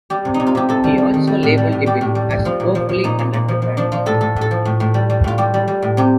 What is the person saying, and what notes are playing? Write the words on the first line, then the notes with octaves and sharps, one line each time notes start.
He also labelled the bill as "woefully underprepared".
G3 G4
C3
D#4
C3
F4
C3 G4
C3 A4
G3
G3
D#3
G3
A2
G3
A2
G3 G4
A2
G3
G3
F3 F4
A#2
F3
F3
A#2 D#4
A#2
A#2
F3
F3
F3 D4
F3 F4
A2 A4
A2 A4
A2 A4
F3
A2
A2
G3
G3
A2 F4
G3 G4
G3
G3
A2
C3 G4